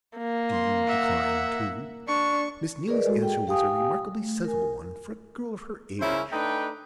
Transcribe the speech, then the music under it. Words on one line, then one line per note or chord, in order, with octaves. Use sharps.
Do you decline too?' Miss Neelie's answer was a remarkably sensible one for a girl of her age.
A#3
C6
E5 F#5
D4 C#6
G#4 A#4 B4 D5 D#5
G#3 F#4 A4
G#4 G5
G4 F5 G5 G#5 D#6
A3
A#4 G#5
C#3 C#4 E4 A#4 C5
A3 D4 D#4 B4 G5